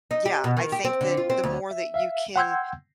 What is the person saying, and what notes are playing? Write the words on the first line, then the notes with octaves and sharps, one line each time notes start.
yeah, I think that the more that you can
D#4
G4
B2
D#3
G4
C4
D3
F4
C4
D2
E5
E5 F5
F#5 G5 C6 E6 G6 G#6